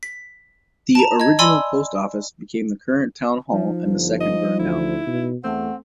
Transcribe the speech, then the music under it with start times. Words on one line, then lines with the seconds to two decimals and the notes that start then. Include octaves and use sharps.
The original post office became the current town hall, and the second burned down.
0.03 B6
0.95 A5 A#5
1.20 D#5 G#6
1.39 D5 G#5 B5 C6 E6
3.51 F3 D#4
3.87 G1
4.20 D#5
4.59 D2 E4
5.07 B2
5.44 E2 A3 C4 F#5